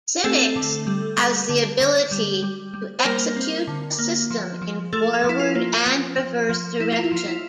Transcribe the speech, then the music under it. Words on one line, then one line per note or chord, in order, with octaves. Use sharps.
Simics has the ability to execute a system in forward and reverse direction.
A3 C4 A4
D3
G3
G3
D3
D3
G3
G3
G3
C5
G3 A#3 A#4
C4
D3
A#3
F3
F3
F3 A3 A4
F3
E4
F4
A#3
F3
F3
F3
A#3 E4
F4
E4
F3 F4
E4